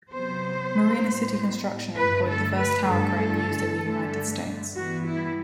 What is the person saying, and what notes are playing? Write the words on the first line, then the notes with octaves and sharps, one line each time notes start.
Marina City construction employed the first tower crane used in the United States.
C3 F#3 B3 C5
A2 G3 B3
G2 D3 A3 B4
A4
B4
G2 D3 A3 A4
G2 D3 A3
G2 E3 G3 B3 F#4
E4